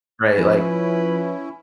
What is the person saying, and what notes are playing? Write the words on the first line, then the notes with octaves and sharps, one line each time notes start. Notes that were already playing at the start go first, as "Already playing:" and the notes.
right, like,
F3 C#4 E4 B4